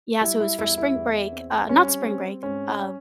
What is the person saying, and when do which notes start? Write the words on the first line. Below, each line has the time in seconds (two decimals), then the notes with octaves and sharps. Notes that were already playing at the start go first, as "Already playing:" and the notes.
Yeah, so it was for spring break uh, not spring break, uh,
0.21 G3 E4
0.40 E4
0.58 E2 E4
0.78 E4
0.95 E2
1.32 C4
1.69 G3 C#4
2.06 C4
2.43 G#2 C#4